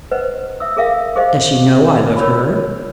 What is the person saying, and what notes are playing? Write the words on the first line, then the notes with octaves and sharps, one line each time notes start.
Does she know I love her?
B4 C5 D#5 F#5
E5 D#6 E6
G#4 A#4 E5 F5
G4 G#4 C5 D#5 F5
A#4 C#5 D5 B5
F4